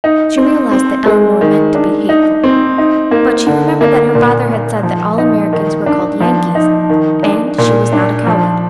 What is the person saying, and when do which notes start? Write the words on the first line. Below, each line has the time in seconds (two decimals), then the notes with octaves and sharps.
She realized that Elinor meant to be hateful; but she remembered that her father had said that all Americans were called "Yankees," and she was not a coward.
0.04 D#4
0.38 C4
0.72 C4
1.06 G#3
1.41 D#3
1.75 D4
2.09 D#4
2.44 C4
2.78 D#4
3.11 A#3
3.47 D3
3.81 A#3
4.15 A#2
4.49 A#3
4.83 F3
5.18 D#4
5.53 D#3
5.86 D4
6.21 F3
6.55 D#4
6.90 D#3
7.23 D4
7.58 A#2
7.93 D4
8.27 F3